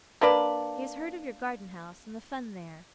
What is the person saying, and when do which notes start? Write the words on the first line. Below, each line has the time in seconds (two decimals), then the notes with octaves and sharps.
He has heard of your garden-house and the fun there.'
0.21 A#3 D4 B4 D5